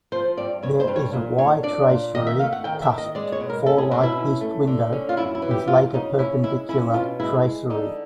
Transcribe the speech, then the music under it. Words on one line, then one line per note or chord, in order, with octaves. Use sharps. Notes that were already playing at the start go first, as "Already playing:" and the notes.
There is a 'Y' tracery, cusped four-light east window with later perpendicular tracery.
F3 C5
G2 D5
G2 C#5
C5
G2
C#5
A#2
D4 C#5
D4 D5
A#2
D#3 D#5
E5
A3 F5
F#5
D#3 G5
E5
D#3
D#5
G#3 D5
C#5
B2
A#4
C#4 A4
G#4
B2 F#4
E4
C#4
A3
D3
C#4
F4
F#2 E4
E4
E3
G4
F#2 F4
C#3 D#4
C#4 E4
G#3 E4
C#4 E4
B2 F4
G#3 E4
G#3
D3 D#4